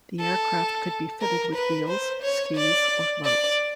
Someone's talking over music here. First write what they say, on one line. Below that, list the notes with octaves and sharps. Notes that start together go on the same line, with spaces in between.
The aircraft could be fitted with wheels, skis or floats.
A4
A#4
B4
C5
C#5
D5
D5